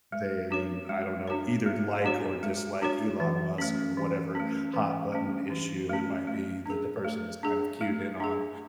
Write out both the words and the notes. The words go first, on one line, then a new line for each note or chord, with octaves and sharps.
they, I don't know, either like or dislike Elon Musk or whatever hot button issue it might be that the person is kind of cued in on.
G#3
D4 F#4 C#5
G#3
D4 F#4 C#5
G#3
D4 F#4 C#5
G#3
D4 F#4 C#5
E3
A3 C#4
E3
A3 C#4
E3
A3 C#4
E3
A3 C#4
A3
D4 G#4
A3
D4 G#4
A3
D4 G#4